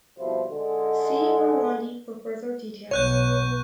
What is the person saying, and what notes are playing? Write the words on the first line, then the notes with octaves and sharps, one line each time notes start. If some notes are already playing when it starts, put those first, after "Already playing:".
See Vanlandi for further details.
C2 B2 F3 E4 C5
D3 G#3
B1 B3 C#5 C#6 F#6 G6